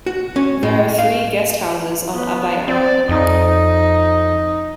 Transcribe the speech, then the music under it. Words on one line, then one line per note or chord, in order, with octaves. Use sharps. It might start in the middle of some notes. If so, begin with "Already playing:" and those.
There are three guesthouses on Abaiang.
F#4
C#4
A2
F5
B3
C4 D5
F2 D#4